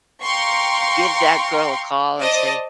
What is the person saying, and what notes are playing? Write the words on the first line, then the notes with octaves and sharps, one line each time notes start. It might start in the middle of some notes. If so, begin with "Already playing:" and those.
give that girl a call and say,
F5 G5 A#5 C6 C#6
C5 D5 D#5 A5